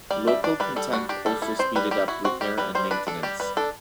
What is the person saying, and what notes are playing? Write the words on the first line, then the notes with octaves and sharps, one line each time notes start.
Local content also speeded up repair and maintenance.
G3 D5
D4 E5
D4 D5
G3 B4
G3 A4
D4 F#4
D4 G4
G3 A4
E4 A4
C4 C5
G3 B4
G3 G4
E4 F#4
C4 F#4
G3 G4
G3 B4
G3 C5
D4 B4
D4 A4
G3 G4
G3 B4
D4 A4